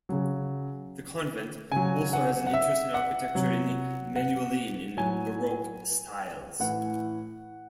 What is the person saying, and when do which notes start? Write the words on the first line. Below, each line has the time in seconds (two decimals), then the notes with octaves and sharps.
The Convent also has interesting architecture in Manueline and Baroque styles.
0.09 C#3 F#3
1.72 C#3 F#3 G#5
2.13 F#5
2.47 F#5
2.53 E5
2.94 F#5
3.35 C3 F#3
4.16 F#5
4.97 A2 F#3 G#5
6.60 A2 E3 F#5